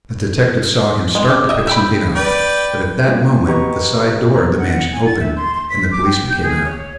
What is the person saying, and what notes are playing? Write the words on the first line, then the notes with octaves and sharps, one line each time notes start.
The detective saw him start to pick something up, but at that moment the side door of the mansion opened and the policeman came out.
G#3
G4
D#5 E5
E5 G5 B5
B4 D5 G5
G3 A#3 C#4 F4 F#4 G#4
F#4 G4 B4 D#5 A#5 C#6
D2 G2 F#3 B3 A#5 F#6
F#5
G#5
A6
E5
C6
C6
B6
D6
G5
G6
G#4
C#5